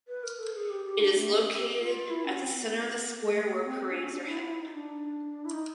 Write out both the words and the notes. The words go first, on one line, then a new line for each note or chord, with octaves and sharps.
It is located at the center of the Square where parades are held.
B4
A#4
A4
G#4
G4
G4
D4
A3
C#4
G4
F4
E4
C#4
C4
B3
A#3
G#3
A3
A#3
C4
D4
C#4
D4
E4
F4
E4
D#4
D4
E4
D#4